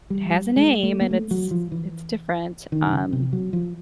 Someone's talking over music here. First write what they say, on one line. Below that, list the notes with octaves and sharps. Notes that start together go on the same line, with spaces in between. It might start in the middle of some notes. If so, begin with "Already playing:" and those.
it has a name, and it's it's different, um
G3
G3
G#3
A3
A#3
A3
F#3
F3
E3
D#3
D3
C#3
C3
F#3
F3